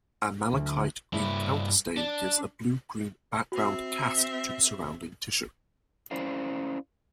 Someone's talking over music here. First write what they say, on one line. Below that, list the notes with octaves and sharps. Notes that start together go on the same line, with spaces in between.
A malachite green counterstain gives a blue-green background cast to the surrounding tissue.
D2
G2 E4
D4
C4 F#4 E5
C#4 E4 C5 D5 F5